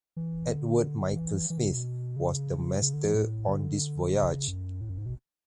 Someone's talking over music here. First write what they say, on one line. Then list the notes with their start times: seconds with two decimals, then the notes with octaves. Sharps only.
Edward Michael Smith was the master on this voyage.
0.16 E3
0.50 D3
1.17 E3
1.50 E3
1.58 D3
1.66 C#3
1.74 B2
2.16 C#3
2.82 C#3
2.93 D3
3.05 E3
3.15 A2
3.48 D3
4.15 C#3
4.48 F#2
4.81 A2
4.89 F#2
4.98 G#2
5.06 B2